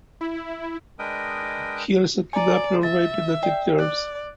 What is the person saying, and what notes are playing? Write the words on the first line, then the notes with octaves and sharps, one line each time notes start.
He also kidnapped and raped native girls.
E4
G#3 D4 A#4 B4 D#5 G5
D5 G#5 A#5
E5 A6
D5 G5
D5 F#6